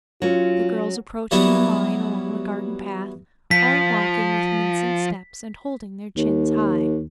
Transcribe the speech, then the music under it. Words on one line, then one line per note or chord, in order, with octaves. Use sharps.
The girls approached in a line along the garden path, all walking with mincing steps and holding their chins high.
F#3 C#4 F4
E3 F#3 G3 B3 E4
F3 B6
D#2